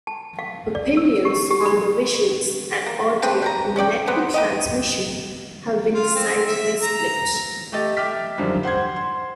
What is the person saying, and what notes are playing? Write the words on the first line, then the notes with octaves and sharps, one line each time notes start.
Opinions on the visuals and audio in "Network Transmission" have been decidedly split.
A5
F5
D5
E6
G4
G4
B5
A#3
C4 D4 G#4 B4
G3 A#4 A#5
C#4 C#5 D5 G5
F#3 B3 C4
D#4 G4 D#5
F4
C4
E5
A#5
A3 G4 D#5 A6
E5 G5 D6 F6 B6
F#2 D3 D#3 F3 G3
C5 F#5 C6 G#6
C6